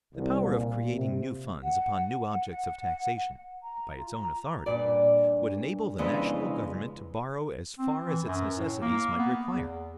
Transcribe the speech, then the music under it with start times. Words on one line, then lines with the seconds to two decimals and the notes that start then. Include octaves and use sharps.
The power of creating new funds upon new objects of taxation, by its own authority, would enable the national government to borrow as far as its necessities might require.
0.15 C2
0.45 A#2
0.92 C3
1.62 F#5
2.27 F#5
3.62 A#5
3.95 F4
4.11 A#5
4.66 G2 A#2 D5
5.98 F2 C#3 E3 G#3 B3 D4
7.79 C4
8.05 E3
8.26 F#2
8.57 A2
8.81 A#3
9.18 B3
9.52 E2